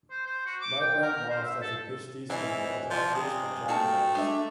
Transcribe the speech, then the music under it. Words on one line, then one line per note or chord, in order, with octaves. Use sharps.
Leibrandt lost as he pitched decently but was outpitched by Jack Morris.
C5
C5
F#4
D6
G5
A#4
C5
E5
A4
E3 C4 E4 C#5 D#5 G#5
F3 D5
C3 G#5 D#6
A3 A#3 F#4 G5 A5
G#3 D4 E5